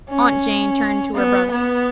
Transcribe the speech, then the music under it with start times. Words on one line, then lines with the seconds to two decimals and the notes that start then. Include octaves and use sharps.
Aunt Jane turned to her brother.
0.09 C#4
1.15 B3
1.51 B3